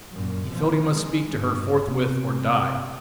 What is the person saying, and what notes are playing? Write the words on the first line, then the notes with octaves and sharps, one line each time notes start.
He felt he must speak to her forthwith, or die.
F#2 A#2
B2 F3
G#3
G2
C3